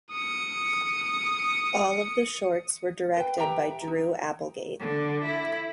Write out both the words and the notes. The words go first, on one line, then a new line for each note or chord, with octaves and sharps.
All of the shorts were directed by Drew Applegate.
D#6 C#7
B4 G5
G4 E5 G5 A#5
D#4
D3
E4